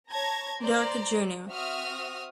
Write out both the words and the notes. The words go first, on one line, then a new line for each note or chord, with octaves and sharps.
Durkee Jr.
C#5 A5 A#5 G#6 A#6
C5 D5 A#5 C6
C4 F#4 E5 D#6 F6